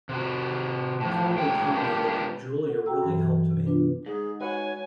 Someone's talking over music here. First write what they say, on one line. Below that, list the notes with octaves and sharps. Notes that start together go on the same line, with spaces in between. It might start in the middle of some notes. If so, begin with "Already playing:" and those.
Clooney commented, Julia really helped me.
C3 F#4
A2 F3
A2 F#3 G#3 G5
G#3 B3 D4 F4 G4 A#4
A4 F#5
F#4 G5 A#5 E6
G2 E3 F#3
E3
C3
B3 D4 F4 B4
G#2 G#4
F#4 B4 C#5 F#5 G#5